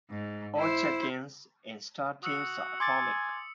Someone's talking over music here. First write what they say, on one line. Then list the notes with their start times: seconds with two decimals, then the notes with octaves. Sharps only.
All check-ins in StarTeam are atomic.
0.10 G#2
0.57 E4 C5
2.23 F#4 D#6 E6 C#7
2.80 G#5 C6 D6 A6